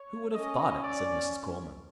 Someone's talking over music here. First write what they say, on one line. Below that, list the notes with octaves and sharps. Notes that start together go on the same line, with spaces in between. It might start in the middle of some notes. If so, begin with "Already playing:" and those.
"Who would have thought it?" said Mrs. Coleman.
Already playing: C#5
C#4 D#5
D5